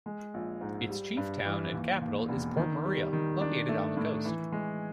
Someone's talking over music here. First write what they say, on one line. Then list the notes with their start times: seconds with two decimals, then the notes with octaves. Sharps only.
Its chief town and capital is Port Maria, located on the coast.
0.06 G#3
0.34 A#1
0.61 G#2
0.89 G3
1.17 G2
1.45 E3
1.73 D#2
2.01 D#2
2.28 E1
2.57 D#3
2.85 G3
3.13 D#3
3.41 D4
3.69 A3
3.97 A2
4.25 E3
4.52 G#3